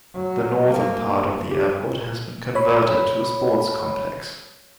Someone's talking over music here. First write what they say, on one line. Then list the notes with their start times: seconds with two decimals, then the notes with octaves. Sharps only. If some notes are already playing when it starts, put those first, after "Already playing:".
The northern part of the airport has been converted to a sports complex.
0.14 F#3
0.69 A#3
1.51 G4
2.55 C#5 B5